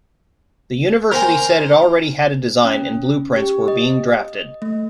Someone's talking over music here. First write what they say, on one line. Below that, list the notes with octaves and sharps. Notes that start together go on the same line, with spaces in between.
The university said it already had a design, and blueprints were being drafted.
A#4 C5 G5 G#5
C#4
G4
D#5
A3